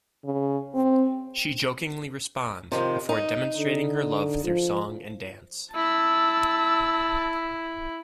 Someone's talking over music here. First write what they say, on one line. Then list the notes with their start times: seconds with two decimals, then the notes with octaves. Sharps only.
She jokingly responds, before demonstrating her love through song and dance.
0.25 C#3
0.74 C4
2.72 C3 D#3 F3
3.09 D#4
3.57 D3
4.44 F3
5.75 E4 A5 E6